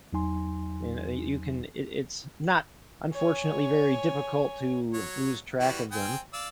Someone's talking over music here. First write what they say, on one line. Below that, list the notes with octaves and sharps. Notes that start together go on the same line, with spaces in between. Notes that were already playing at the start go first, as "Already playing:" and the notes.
you kn you can it it's not, unfortunately, very difficult to lose track of them.
E2 F#3 D#4 G#5 C6
C#5 G#5
F#3 C#5
E3 G3 F#4
C4 G5 G#5
D5 F5 E6